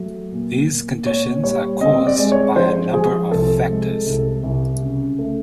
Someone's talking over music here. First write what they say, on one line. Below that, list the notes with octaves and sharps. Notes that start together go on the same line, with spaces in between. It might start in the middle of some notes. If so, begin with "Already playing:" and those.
These conditions are caused by a number of factors.
Already playing: F#3 A3
A#2
A#2
A#2 C#5
G3 C#5
C4 D#5
D5
G#3
C#5
F3 C5
F3 G#4
C2 A4
G#3
C2
C2
C#3
A3